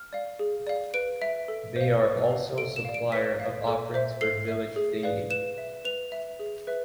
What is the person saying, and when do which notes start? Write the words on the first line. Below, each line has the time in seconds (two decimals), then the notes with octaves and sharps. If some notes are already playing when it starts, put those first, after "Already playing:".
They are also supplier of offerings for village deity.
Already playing: F6
0.13 D5 F5
0.39 G#4
0.67 D5 F5
0.94 B4 D7
1.22 E5
1.48 A4
1.76 C5 F5
2.04 B4
2.31 F5
2.58 A4 D7
2.76 E7
2.85 D5 F5
2.94 D7
3.12 B4 B6
3.40 F5
3.67 A4
3.94 C5 E5
4.21 A4 C7
4.48 E5
4.76 G#4
5.03 B4 D5 F5
5.30 B4 E7
5.58 E5
5.85 B4 F7
6.12 E5
6.39 G#4
6.67 B4 E5